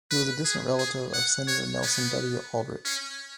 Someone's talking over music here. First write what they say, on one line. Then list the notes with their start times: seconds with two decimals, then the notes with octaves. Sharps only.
He was a distant relative of Senator Nelson W. Aldrich.
0.11 B4
0.45 G#4
0.79 G#4
1.13 F#5
1.48 C#5
1.83 B3
2.85 C#4